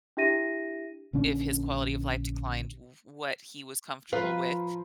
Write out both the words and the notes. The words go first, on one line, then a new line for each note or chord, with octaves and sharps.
if his quality of life declined, w what he was comfortable with.
D4 E4 G4 E5 A#6 D#7
A#1 D3 C#4 D4
F3 F4 B4 A#5 B5